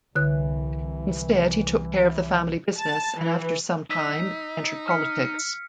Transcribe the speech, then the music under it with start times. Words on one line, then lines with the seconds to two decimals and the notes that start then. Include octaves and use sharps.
Instead, he took care of the family business and after some time, entered politics.
0.16 C2 D3 E3 F#6
2.78 A5
3.18 E3
3.90 D#4 E6 B6
4.88 F6 B6 C#7
5.25 C#7